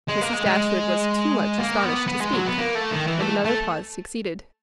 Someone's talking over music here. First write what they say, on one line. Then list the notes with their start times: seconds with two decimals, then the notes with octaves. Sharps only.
Mrs. Dashwood was too much astonished to speak, and another pause succeeded.
0.09 G#3
0.21 A#3
0.33 G#3
0.46 G#3
1.58 A#3
1.83 B3
2.08 B3
2.21 G#3
2.33 F#3
2.46 B3
2.58 A#3
2.75 A3
2.91 D#3
3.07 E3
3.20 A3
3.45 A3